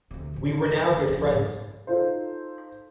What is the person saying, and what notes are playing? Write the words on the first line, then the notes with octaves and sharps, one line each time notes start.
We were now good friends.
D2 C3
A1 D3
F#2 D3
A3
C2 F2
G#2 G3
D#4 F4 A4 C5